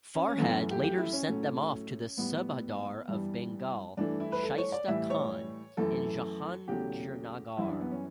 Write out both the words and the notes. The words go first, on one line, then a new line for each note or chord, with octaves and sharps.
Farhad later sent them off to the Subahdar of Bengal Shaista Khan in Jahangirnagar.
C#4
C#4
F#2 E3 A3 B3
C#4
G4
G4
E4
C#4
A2 F#3 A3
A2 G3 B3
G2 E3 G3
G2 E3 A3 D4
E4
B4
A4
C#5
D5
A2 E3 G3 E5
C#5
F#2 E3 A3 A4
E2 C#3 F#3 A3 G4
F#2 E3 G3 E4
D4
B3
C#4